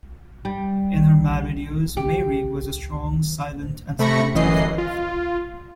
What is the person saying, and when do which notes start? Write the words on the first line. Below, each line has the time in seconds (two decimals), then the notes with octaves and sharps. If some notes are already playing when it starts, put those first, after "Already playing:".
In her married years Mary was a strong, silent, and supportive wife.
0.45 G3
1.97 G4
3.99 C3 A3 B5 C#6 A#6 C#7
4.34 G1 F#2 E3 D#5 C7
4.78 F4